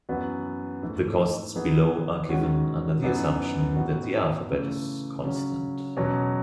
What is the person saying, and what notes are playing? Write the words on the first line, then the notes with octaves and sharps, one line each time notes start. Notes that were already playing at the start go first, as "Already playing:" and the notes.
The costs below are given under the assumption that the alphabet is constant.
F#2 E3 B3 F#4
G#2 E3 A3
E3 B3 D#4 G#4
D#3 G#3 C#4 F#4
F#2 E3 B3 D#4
A2 E3 B3 D#4 F#4
C#3 E3 A3
C#3 F#3 C#4
E2 B2 F#3 C#4